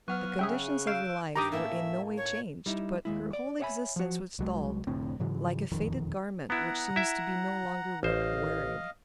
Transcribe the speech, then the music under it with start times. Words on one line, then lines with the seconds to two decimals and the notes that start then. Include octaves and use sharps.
The conditions of her life were in no way changed, but her whole existence was dulled, like a faded garment which seems to be no longer worth wearing.
0.08 F#3 B3 F#5 C#6 F6 F#6
0.39 C#3 G#4 E5 G5
0.87 F5 C#6 E6 G6 D7 E7
1.36 G2 D#3 G4 G5 A#5 D6 D#6
1.52 A2 A#3 C#4 E5
2.17 C#5
2.66 G3 D#4 E4
3.05 D#2 G#3 E4
3.33 D5
3.60 C#5 D5 E5 F#5 G#5 B5
3.96 F3 F#4
4.39 C2 F#3 G#3
4.87 F1 A2 D3 C4
5.20 G#2 C#3 E3 F#3
5.72 E1 A#1 F2 D#3
6.50 B3 E4 F#5 A#5
6.96 E4 E5
8.03 A1 C5 D#5 F5